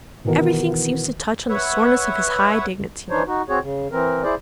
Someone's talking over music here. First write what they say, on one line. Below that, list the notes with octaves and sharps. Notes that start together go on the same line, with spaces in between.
Everything seems to touch on the soreness of his high dignity.
B2 D#3 E3 B3 A#4
B4 C#5 E5 F#5
E3 D4 D#4 C5 C#5
D#4 F#4
C4 F#4 G#4 C#5
C#3
E3 C4 A#4
E4 G#4 C5 D5